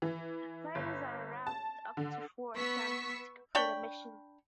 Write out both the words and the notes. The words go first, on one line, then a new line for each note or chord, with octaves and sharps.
Players are allowed up to four attempts to complete a mission.
E3
G1
A5
D3
B3 C#6 E6 B6
D4 C#5 G5 B5